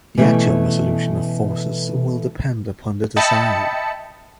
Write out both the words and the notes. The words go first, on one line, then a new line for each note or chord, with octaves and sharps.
The actual resolution of forces will depend upon the design.
B2 E3 A3 C#4 G4 A4
D#5 E5 G5 A5 B5 C#7